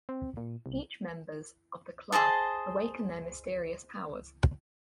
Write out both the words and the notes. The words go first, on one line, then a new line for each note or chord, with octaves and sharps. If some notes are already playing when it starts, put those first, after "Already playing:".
Each members of the club awaken their mysterious powers.
C4
A#2
C2
G#4 C5 D#5 A5